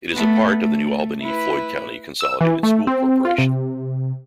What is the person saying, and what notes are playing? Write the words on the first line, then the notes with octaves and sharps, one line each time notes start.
It is a part of the New Albany-Floyd County Consolidated School Corporation.
A3 B3
A3
E4 B4
E6
E3
A3
C4
F4
C3